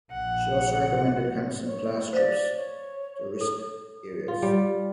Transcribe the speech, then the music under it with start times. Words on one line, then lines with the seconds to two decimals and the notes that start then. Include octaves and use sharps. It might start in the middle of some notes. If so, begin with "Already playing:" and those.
She also recommended cancelling class trips to risk areas.
0.12 A#1 F#5
1.65 C#5
2.13 C5 D5 F5
2.56 C#5
3.41 A4
4.28 F4
4.42 G3